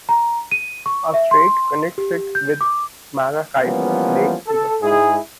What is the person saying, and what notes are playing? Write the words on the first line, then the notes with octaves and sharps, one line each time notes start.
A strait connects it with Maracaibo Lake to the south.
A#5
D#7
C#6
E5
C6
G4
G6
D6
E3 F3 G3 A#3 B3 C#4
A4
G#2 G#3 E4 G#4